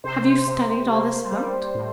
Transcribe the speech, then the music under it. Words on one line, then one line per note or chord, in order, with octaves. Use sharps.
"Have you studied all this out?"
C3 C5
C3
A#3
G3
A2